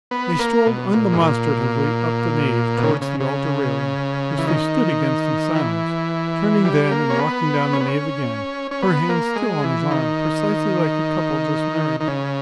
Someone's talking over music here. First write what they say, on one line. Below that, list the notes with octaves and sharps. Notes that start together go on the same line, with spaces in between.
They strolled undemonstratively up the nave towards the altar railing, which they stood against in silence, turning then and walking down the nave again, her hand still on his arm, precisely like a couple just married.
B3
A#3
B2
A#2
G#2
A#2
B2
C#3
C#3
C#3
E3
D#3
E3
G3
A#3
C#4
B3
C#4
B3
C#4
C#4
B3
A#3
G#3
E3
D#3
D#3
C#3